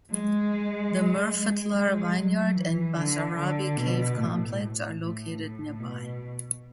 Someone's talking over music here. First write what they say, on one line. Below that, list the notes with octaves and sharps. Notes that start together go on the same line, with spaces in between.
The Murfatlar Vineyard and Basarabi Cave Complex are located nearby.
G#3
G#3
G#3
F#3
E3
D3
D3
B2
A2
A2
A2
B2